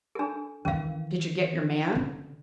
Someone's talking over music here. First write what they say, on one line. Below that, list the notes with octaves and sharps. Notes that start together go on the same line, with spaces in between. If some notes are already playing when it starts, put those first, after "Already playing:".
"Did you get your man?"
D4 A4
D#3 E3 C#4 F5
D3